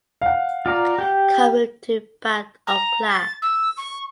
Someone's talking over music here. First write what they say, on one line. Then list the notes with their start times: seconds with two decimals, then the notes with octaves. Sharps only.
Car moved to back of class.
0.22 F5 F#5
0.66 F4 D5 A#5
0.99 G4 G5
2.67 A#5
3.08 A6
3.42 E6
3.77 C#6